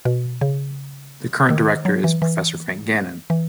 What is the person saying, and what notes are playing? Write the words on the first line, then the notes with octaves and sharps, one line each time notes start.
The current Director is Professor Frank Gannon.
B2
C#3
D#3
F#3
E3
E3
E3